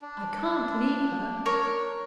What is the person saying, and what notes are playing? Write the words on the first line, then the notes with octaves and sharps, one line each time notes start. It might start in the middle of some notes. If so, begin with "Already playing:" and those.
'I can't leave her.
D4
A#4 C#5